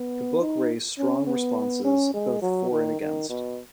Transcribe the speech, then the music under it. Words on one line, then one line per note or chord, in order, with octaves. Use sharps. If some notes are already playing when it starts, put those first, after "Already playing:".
The book raised strong responses, both for and against.
Already playing: B3
D#4
C#4
B3
C#4
G#3
F#3
D#3
D#3
B2